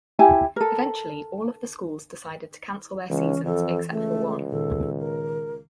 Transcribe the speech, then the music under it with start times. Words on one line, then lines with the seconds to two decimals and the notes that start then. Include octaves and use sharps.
Eventually all of the schools decided to cancel their seasons except for one.
0.19 E4 G4 G#5
0.56 A4 A#4
3.10 C#2 E3 C#4
3.45 F2 A4
3.91 C#2 A3
4.51 A#2 D#3 A4
4.99 A#4